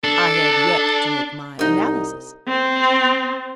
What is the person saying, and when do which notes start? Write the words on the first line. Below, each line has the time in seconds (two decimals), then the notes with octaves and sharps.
"I have yet to make my analysis."
0.04 D4 A4
1.59 C2 D#4 D#5
2.48 C4